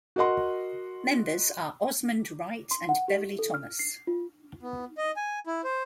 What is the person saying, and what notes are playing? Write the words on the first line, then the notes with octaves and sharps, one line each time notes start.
Members are Osmond Wright and Beverly Thomas.
F#4 A#4 D#5 F#5 C6
C6
F#5
G4
A4
F6
C7
F4
B3
D#5
G#5
E4
C5